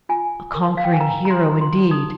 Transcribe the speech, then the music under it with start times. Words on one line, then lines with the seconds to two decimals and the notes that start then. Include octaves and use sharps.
A conquering hero, indeed!
0.09 F4 G#5
0.55 A#4
0.77 F5
0.84 G5
0.93 G#5
1.00 A#4 A#5
1.25 A#5
1.30 C6
1.46 F4
1.61 C6
1.91 D#4 D#6